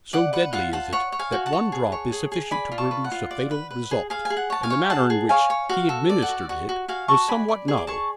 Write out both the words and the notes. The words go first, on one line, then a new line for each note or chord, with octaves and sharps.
So deadly is it, that one drop is sufficient to produce a fatal result, and the manner in which he administered it was somewhat novel.
D5 F#5
B4 F#5
F4 F#5
F4 F#5 A5
C#5 F#5
C#5
F5 G#5
F#4
F#5 A5
C#5
G#4
C#5
G#4
G#4
D5 G#5 B5
F4
A5 C#6
B4
F#5
F4
D5
B4
B4
G#4
G#4 F5
G#5
G#4
F#5
C#5 A5
F5 G#5
C#5
G#4 F#5 A5
G#4
C#5 F5 G#5
C#5
F#4 F5
A4
D5
F#5
F#4
F#4 F#5
F#4
F#4 F5 G#5
F#4 A5 C#6
D5 G#5 B5
D5
G#4 C#6
D6
G#4 A5 C#6